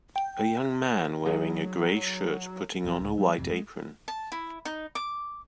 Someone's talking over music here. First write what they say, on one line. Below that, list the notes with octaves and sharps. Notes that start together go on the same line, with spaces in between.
A young man wearing a gray shirt putting on a white apron.
G5
F#3 D#4 G#4
F1 F#3 C4
C#2 A2
F#3 G3
G#1 F2 C3
G#3
A5
E4
D#4
D6